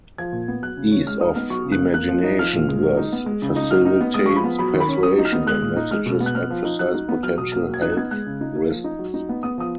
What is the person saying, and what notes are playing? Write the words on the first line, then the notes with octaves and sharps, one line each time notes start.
Ease of imagination thus facilitates persuasion when messages emphasize potential health risks.
F3 G#6
A#2
B3
F#3 F#6
C#3
C#4
G#3 F6
D#4 D#6
B3 F6
F#3 C#6
C#3
F#6
A#3
A#3 F#6
F3
D#4
F3 F6
A#2
G#3
F#3
D#4
B3
G#3
C#3
D#4
F#3 F6
D#4
B3
G#3 D#6
F3 C#6
B5
B3
F#3 B5
D#3
B5
C#4
F#3 D#6
D#4
F6
B3
G#3 F#6
A#2
D#4
G#3 F6
B2
B3
F#6
B3 F6
F3
D#4
F#3 F#6
D#4
B3
F#3 F6
B2 D#6
A#3 F6
F#3
G#6
D#4 F#6
F#6
B3 G#6
G#3 F#6
C#3
D#4
A#3
F3
D#4
F#3
D#4
B3
B3 D#6
F3 D#6